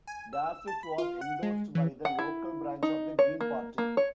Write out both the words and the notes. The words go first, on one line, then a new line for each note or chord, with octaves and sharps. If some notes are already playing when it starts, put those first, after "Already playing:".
Dafis was endorsed by the local branch of the Green Party.
G#5
E6
A5
B5
F4
F#5
G#3
E3
F#5
E4
D#4
C#5
A#3
A#3
C#5